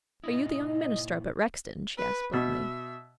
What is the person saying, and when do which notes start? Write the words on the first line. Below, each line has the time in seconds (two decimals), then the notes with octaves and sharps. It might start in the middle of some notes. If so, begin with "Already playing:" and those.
"Are you the young minister up at Rexton?" she asked bluntly.
0.24 A#2 D#4 E4 D#5
1.97 B4
2.33 B2 E5